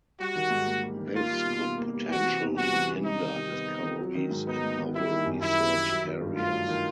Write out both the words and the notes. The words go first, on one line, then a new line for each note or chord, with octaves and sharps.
This could potentially hinder discoveries in novel research areas.
G3 F#4
D#3
G#2
A#3
G3
D#3
A#3 F4
G3
B2
B2
A#3
G3
E3 F#4
C3
E2
G3 F#4
E3
C3
G3 D#4
D#3
C3
B3
G3
D#3
F#3
D#3
G#2
B3 D#4
F#3
D#3
G3 E4
D#3
F#2
F#2 E4
G3
D#3
F#3
D#3
G2
A3 F4
F#3
D#3